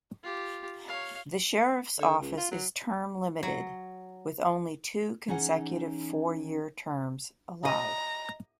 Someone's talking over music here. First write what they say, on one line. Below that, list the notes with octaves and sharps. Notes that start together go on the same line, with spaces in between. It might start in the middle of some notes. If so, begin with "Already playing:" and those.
The Sheriff's office is term limited with only two consecutive four year terms allowed.
F4 G4
C#5 F5
D3
C#2
F4
F#3
F#3
E3 C#4 D#4 G#4 F#5
D#5 A#5